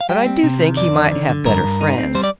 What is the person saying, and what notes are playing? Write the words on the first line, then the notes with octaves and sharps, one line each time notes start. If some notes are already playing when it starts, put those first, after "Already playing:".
But I do think he might have better friends.
F5
G3 G5
C4
C3
D#3
F2 D5
D#3
D3
D3
G2 A#4
G2
D#4
C4
G3 C5
D5